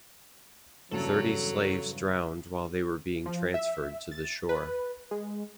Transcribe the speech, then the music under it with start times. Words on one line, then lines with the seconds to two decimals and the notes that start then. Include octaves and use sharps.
Thirty slaves drowned while they were being transferred to the shore.
0.91 E2 G2 C#3 F#3 A4
3.26 F3
3.54 E5
4.11 A6
4.49 B4
5.11 G#3